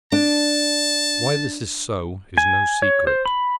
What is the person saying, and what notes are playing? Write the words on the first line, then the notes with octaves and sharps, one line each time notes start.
Why this is so is no secret.
D4 A5
G#5
C#5
C5
B5